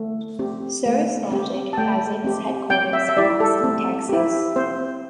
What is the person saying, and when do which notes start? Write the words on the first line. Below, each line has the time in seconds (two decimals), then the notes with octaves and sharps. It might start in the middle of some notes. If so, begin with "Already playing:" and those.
Cirrus Logic has its headquarters in Austin, Texas.
Already playing: A3
0.39 C4 G4
0.86 A3
1.32 C4 G4
1.73 A5
1.77 A3 G5
2.24 C4 G4
2.70 C4 G5
2.93 E5
3.09 E5
3.17 E4 G4 D5
3.40 A4
3.64 C4
4.09 E4 G4
4.56 C4 C5